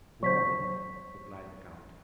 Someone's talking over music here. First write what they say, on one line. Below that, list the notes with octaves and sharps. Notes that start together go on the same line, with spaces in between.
"Go on, then," replied the count.
F#3 C5 C#6 B6